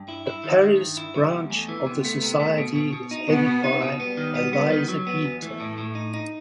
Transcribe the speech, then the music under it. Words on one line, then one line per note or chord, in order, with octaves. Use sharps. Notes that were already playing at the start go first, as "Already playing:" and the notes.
The Paris branch of the Society is headed by Eliza Pieter.
Already playing: G2
E4
E4
D#3
D#3
G2
E4
C3 G3
E2
E2 A3
E3
C3 B3
A3
C3
A3
B2
B2
B2
D#4
B2 B3
B2
D#4
B2
G3 B3
D#3
B3
B3
D#3
F#3
B3
E2
E3 A3
A2
A2
D#4
D#4